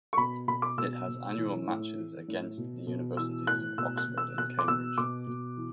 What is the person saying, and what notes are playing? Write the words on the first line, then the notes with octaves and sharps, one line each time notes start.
It has annual matches against the universities of Oxford and Cambridge.
C#6
B2 B5
B2 B5
D6
B2 E6
B2
E3
A2
E3
A2
B2
B2
E3 E6
A2 F#6
B2 E6
F#6
B2
E6
B2 F#6
D6
B2 E6
B2 D6
B2
E3